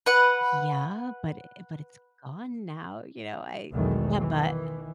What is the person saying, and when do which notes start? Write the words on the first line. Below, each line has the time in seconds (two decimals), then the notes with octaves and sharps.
yeah, but it but it's gone now," you know? I yeah, "But
0.06 B4 F#5
3.72 B1 E2 D#3 F#3 G#3 A3
4.20 D#3 E3